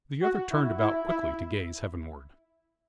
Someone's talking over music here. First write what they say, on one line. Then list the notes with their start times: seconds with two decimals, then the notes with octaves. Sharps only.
The other turned about quickly to gaze heavenward.
0.22 F#4
0.51 E4
0.79 E4
1.08 E4